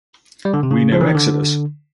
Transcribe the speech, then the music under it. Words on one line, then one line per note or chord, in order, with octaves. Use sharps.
We know Exodus.
G3
D3
C3
C#3
F3
E3
D#3
D3